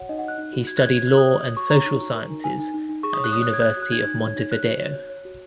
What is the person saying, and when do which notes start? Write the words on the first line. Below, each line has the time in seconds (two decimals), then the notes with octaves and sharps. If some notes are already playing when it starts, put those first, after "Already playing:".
He studied Law and Social Sciences at the University of Montevideo.
Already playing: F#4 C#5 F#5
0.09 D#4 D#5
0.19 F#5
0.23 F#4
0.28 F#6
0.38 D#4
0.53 F#4
0.67 F#4 G#6
0.78 F#6
0.83 C#5 G#6
0.97 F#4 G#6
1.08 F#4 F#6
1.17 D#6
1.27 C#5
1.42 C#5
1.56 F#4 C#6
1.70 C#5 A#5
1.86 D#4
2.01 F#4
2.15 A#4
2.30 D#4
2.44 D#4 G#5
2.59 D#4
2.74 D#4
2.89 D#4
3.03 G#4 C#6
3.13 D#6
3.18 C#5
3.24 F#6
3.33 C#5 D#6
3.43 F#6
3.48 C#5
3.53 G#6
3.62 C#5 F#6
3.77 F#4
3.82 F#6
3.92 D#4 G#6
4.06 D#4
4.21 C#5
4.36 D#4
4.51 C#5 F#6
4.66 F#4
4.81 C#5
4.95 C#5
5.10 C#5
5.25 F#4